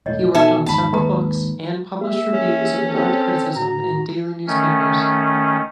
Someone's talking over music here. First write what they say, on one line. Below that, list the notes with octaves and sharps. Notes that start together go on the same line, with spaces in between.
He worked on several books and published reviews and art criticism in daily newspapers.
E1 A2 C#5 D#5
B2 D#4 A4 E5 G#5
G#1 E2 A5 B5
D#2 G#2 B4 A#5 D#6
A#3 G4 G#4 E5
C#4
C4 A4
A2 F#4 A#5
D#3 A3 C#4